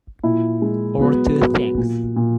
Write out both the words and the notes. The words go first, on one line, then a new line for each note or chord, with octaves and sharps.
Or to things.
A#2 E4
G#3
F#3 B3
F#3
A#2
A#2